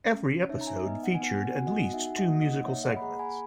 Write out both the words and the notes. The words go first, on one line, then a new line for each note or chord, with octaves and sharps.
Every episode featured at least two musical segments.
C#4
D#4 C#5 E5
A#5
E5 G#5
B3 D#5
F#5
G#5
B3 F#5
G#5
F#5
F#4 G#5
D#5 F#5
F#5
D#4 E5 G#5
D#5 F#5
A#3
D#5 F#5
A#3 C#5 E5
D#5 F#5
B5
G#4 F#5 A#5
G#5 B5